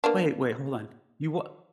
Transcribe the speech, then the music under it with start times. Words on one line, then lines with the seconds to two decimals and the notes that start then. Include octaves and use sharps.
Wait, wait, hold on, you wha
0.04 A#3 B3 D4